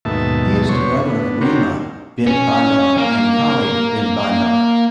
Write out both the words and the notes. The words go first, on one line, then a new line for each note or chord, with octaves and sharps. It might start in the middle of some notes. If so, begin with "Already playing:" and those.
He is the brother of Reema bint Bandar and Khalid bin Bandar.
D#2 G#2 B2 A3 E5 A5
E2 B2 D3 C5 C#5 C#6
D3 B3
D4 F#4 G4 A#4 C5 C#5
C#4
A#3